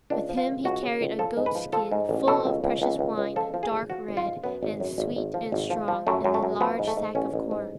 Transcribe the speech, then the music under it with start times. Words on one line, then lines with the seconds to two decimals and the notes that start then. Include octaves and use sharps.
With him he carried a goat-skin full of precious wine, dark red, and sweet and strong, and a large sack of corn.
0.10 C#2 D4
0.29 F3
0.37 F4
0.47 C#2
0.64 C#2 F#4
0.83 C#3
1.01 C#2
1.19 F3 A4
1.37 G#2
1.46 B4
1.55 F3
1.73 F3 A4
1.92 G#2
2.09 A1
2.27 B2 A4
2.45 C#2
2.64 C#2
2.82 C#2
2.99 C#2
3.18 C#2
3.36 F3 A4
3.54 F3
3.63 G#4
3.72 G#1
3.90 F3 F#4
4.08 G#1
4.17 F4
4.26 G#2
4.44 F#2 B3
4.63 G#1
4.80 F#2
4.98 G#1
5.16 G#1
5.34 F3
5.52 G#1
5.70 F3
5.88 F3
6.07 F#2 A3
6.24 F#2
6.34 A3
6.43 F#2
6.61 F3 B3
6.79 G#2
6.87 A3
6.97 G#2
7.15 A1 C#4
7.34 A1
7.51 G#2